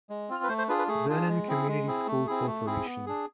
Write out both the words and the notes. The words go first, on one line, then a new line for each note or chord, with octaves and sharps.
Vernon Community School Corporation.
G#3
C4 F4
B4
A3 C5
C5
D4 F4 G#4 B4
B4
A3 G#4
D4 F4 G#4
G#3
C4 E4 G#4
G#3
C4 E4 G#4
A3
C4 E4 G#4
A3
C4 E4 G#4
B3
D4 G#4